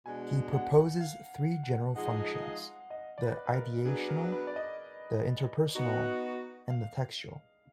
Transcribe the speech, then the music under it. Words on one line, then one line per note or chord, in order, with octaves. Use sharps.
He proposes three general functions: the "ideational", the "interpersonal" and the "textual".
B2 G#3 D4 G#5
F#5
F5
F#5
F3 G#3 D#4 G#4 F#5
F5
D#5
D5
B4
B4
A#4
F#3 B3 D4 G#4
A#4
B4
D5
D#5
B3 D#4 F#4
F5